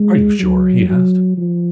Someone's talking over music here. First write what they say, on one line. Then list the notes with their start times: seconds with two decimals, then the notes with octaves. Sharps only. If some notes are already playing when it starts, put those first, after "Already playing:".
"Are you sure?" he asked.
Already playing: G#3
0.39 F#3
0.88 F#3
1.37 F3